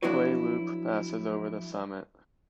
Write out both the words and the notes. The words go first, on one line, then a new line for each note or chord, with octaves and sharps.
Clay Loop passes over the summit.
F3 F#3 D4 E4 F#4 B4